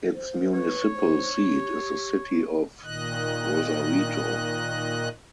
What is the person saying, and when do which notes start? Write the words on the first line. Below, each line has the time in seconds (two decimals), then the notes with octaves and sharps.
Its municipal seat is the city of Rosarito.
0.14 C5
0.54 B4 C#5
0.95 C5
1.52 G4
2.83 A#2 D#3 D#5 F#6